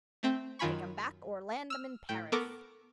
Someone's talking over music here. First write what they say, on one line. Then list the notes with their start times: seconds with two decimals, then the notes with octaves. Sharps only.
Take 'em back, or land them in Paris.
0.23 A3 C4 G5
0.59 F#2 D#3 F4 G#5 B5 C#6
1.70 E6 F6
2.09 A2 G5
2.32 B3 A4 A#4 C#6 D6